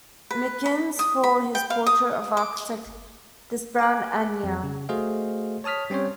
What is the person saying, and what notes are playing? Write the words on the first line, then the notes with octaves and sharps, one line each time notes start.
McInnes for his portrait of architect "Desbrowe Annear".
B4
B5
D#6
B5
G5
F5
D#6
D6
G#5 D6 F#6
F2
C#3
A3 F#4 G#4 C5 D#5 F5
C#5 A5 D#6 F6 B6
G3 C4 C#4 C5 C#5